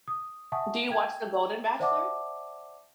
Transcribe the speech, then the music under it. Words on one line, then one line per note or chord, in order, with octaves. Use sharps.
Do you watch The Golden Bachelor?
D#6
E5 F#5 G#5 A5 C#6 D#6
G5 G#6
C5 D5 E5 F#5 A5 D6